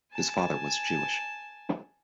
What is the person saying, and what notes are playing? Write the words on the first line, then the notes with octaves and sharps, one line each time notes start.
His father was Jewish.
G#5 A5